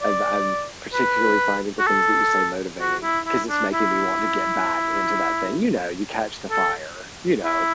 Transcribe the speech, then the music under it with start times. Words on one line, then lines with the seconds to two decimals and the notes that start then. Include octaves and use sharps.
of I'm particularly finding the things that you say motivating, 'cause it's making me want to get back into that thing, you know, you catch the fire, you know?
0.01 D5
0.94 B4
1.79 F#4
1.87 A4
2.80 F#4
3.03 E4
3.25 E4
3.49 D4
3.72 E4
6.50 A4
7.43 E4